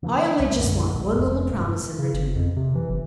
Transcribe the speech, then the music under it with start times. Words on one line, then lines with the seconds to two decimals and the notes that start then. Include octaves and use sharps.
"I only just want one little promise in return."
0.03 C#3 E3 F3 A#3
0.39 C2
0.57 A#1 F#2 D3
0.89 D1 A1
1.14 F1
1.51 G2 C3
1.99 C#3
2.13 G1
2.35 F2
2.56 C3
2.75 E3
2.90 G1